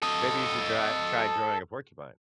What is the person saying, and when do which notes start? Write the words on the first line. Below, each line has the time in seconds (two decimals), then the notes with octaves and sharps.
Maybe you should dry try drawing a porcupine,
0.02 A4 D#5